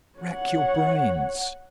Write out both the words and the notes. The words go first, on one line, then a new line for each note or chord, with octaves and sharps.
Rack your brains!
C#5 F#5